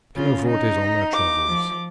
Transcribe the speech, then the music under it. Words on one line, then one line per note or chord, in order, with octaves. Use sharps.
Pianofortes on Their Travels.
C#3 F4
D#4
D6
F3